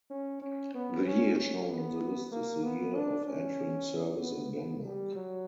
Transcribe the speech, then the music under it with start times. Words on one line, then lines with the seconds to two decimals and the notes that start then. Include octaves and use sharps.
The year shown in the list is the year of entering service in Denmark.
0.10 C#4
0.42 C#4
0.75 B3
1.06 C#4
1.37 C#4
1.69 B3
2.32 A#3
2.63 B3
2.95 D4
3.26 C#4
4.20 B3
4.53 B3
4.84 G3
5.16 F#3